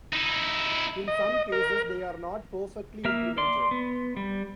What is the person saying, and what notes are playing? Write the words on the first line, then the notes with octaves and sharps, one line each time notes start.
In some cases they are not perfectly implemented.
D#4 E4
D#5
A#4
A#3 E5 F6
D5 C6
B3
G3